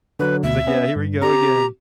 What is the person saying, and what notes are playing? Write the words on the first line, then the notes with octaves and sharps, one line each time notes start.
He's like, "Yeah. Here we go again."
D3 F#3 B4
D2 B2 E5
B3 C#4
G2
C4 G4 A#5